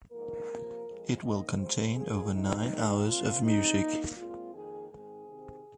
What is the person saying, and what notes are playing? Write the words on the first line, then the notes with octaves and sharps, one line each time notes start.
It will contain over nine hours of music.
G#2 F3 A#3 A#4
C3 F3 A#3
F2 F3 G#3
G#2 D#3 A#3 D#5
F2 C3 G#3 C5
A#2 F3 A#3 G#4
F2 C3 G#3 D#4
D#2 D#3 G#3
A#2 F3 C4 F4
C3 G#3 C4 D#4
A#2 A#3
A#2 G#3 C4 F4
F2 D#3 A#3 G#4
G#2 D#3 G#3 C4 G#4
C3 D#3 C4